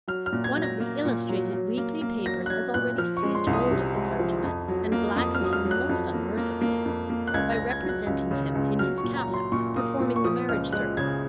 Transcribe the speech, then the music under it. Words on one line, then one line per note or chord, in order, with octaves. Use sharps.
One of the illustrated weekly papers has already seized hold of the clergyman, and blackened him most unmercifully, by representing him in his cassock performing the marriage service.
F#3 F6
F6
A#2
G#6
F#3
A#6
A#3
A#2
F#3
F#3
A#3
A#3
F#3 A#6
F#6
F#3 G#6
A#2 F#6
F3 F6
C#6
G#3
C6
C2
D#6
C3
G#3
F3
F2
F#3
A#3
F2 D#6
F6
F#3 D#6
F6
F#3
F#6
F2
A#3
A#3
A#3
F2
A#3
F#6
C#2 G#6
A#6
C#2
G#6
F#3
F#6
C#2
C#3
C#2
F#3 F6
C#6
A#2
A#5
F#3
C6
A#2 C#6
A#3 D#6
A#2
C#6
F3 D#6
C#2 F6
G#3 F#6
C#3 G#6